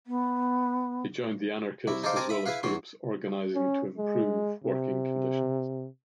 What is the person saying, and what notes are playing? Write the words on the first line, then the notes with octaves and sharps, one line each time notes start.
He joined the anarchists as well as groups organizing to improve working conditions.
B3
C2 E4
D#4 G#4 A4 C5 D5 F5
C4 A#4 G#5 A5 D6
E5 B5 D#6
E4 G#4 B4 F5
E2 C#4 C6
C#4
G#3
C3